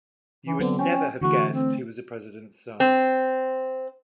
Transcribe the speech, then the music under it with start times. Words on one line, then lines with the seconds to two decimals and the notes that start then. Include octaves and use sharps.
You would never have guessed he was a president's son.
0.46 E3
0.60 D3 F#3 B3 C4
0.79 C#4 G5
1.21 D3 E3 A3 F#4
1.51 C4
2.80 C4